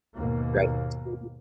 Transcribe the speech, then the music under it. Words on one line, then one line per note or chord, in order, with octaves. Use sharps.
right, tea
D#2 G#2 B2 A#3